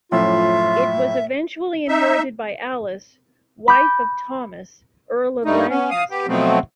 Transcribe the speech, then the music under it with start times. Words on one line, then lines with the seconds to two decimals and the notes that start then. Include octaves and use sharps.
It was eventually inherited by Alice, wife of Thomas, Earl of Lancaster.
0.12 F#2 A2 F3 F4 E5
1.88 D#4 E5
3.68 B5 D6 G6
5.45 G2 G3 A3 D#4
5.70 B3 C#4
5.90 F5 D#6
6.10 B3 G4
6.27 B2 F3 F#3 A3 B3 C4